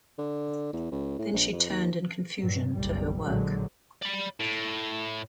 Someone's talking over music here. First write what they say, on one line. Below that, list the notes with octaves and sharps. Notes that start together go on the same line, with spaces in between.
Then she turned in confusion to her work.
D3
E2
C#2
A2
A#1
F2
D#2
G2 A#2 F#3
F#1 B1 G3
A#1 A2 D3 F#3 G#3
D5 B5
A2